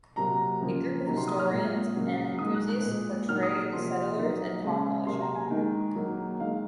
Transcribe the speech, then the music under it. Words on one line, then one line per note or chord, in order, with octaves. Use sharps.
A group of historians and enthusiasts portray the settlers and town militia.
C3 F#3 A#3 A#5
C#3 F3 A#3
C3 D#3 F#3 A#3 A#5
C6
D#6
F6
A#2 G#3
C#3 F#3 A#3
D#3 G#3 D#6
F#6
F#6
A#2 G#3
D#3 F#3 A#3 F6
D#6
C3 F3 A#3 C6
D#3 F#3 A#3
C#3 G#3
C3 F#3 A#3 C6
A#5
G#5
D#3 G#3
D#3 F#3 A#3
D#3 G#3 F5